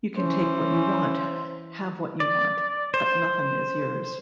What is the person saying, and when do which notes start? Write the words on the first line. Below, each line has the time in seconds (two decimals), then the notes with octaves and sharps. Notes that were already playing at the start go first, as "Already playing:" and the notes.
You can take what you want, have what you want, but nothin' is yours.
0.18 E3 C#4 C5
2.20 D5
2.94 C5